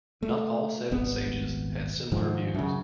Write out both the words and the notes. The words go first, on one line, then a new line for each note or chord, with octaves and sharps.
Not all seven sages had similar views.
A3
D#1 G#1 B3
G#2 D#3 F3
F#2 C#3